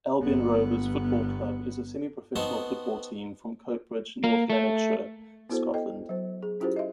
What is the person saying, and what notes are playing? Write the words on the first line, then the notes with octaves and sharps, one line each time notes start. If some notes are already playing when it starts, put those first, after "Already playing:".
Albion Rovers Football Club is a semi-professional football team from Coatbridge, North Lanarkshire, Scotland.
G1 B3
B3 C4 D#4 F#4 F#5 A5
A#3
A3
B3 E4 F#4 A4 C5
A4 D#5 G5
F#3 C5
G#4
C#4 E4 F4 G4 A4 C5
D#5 E5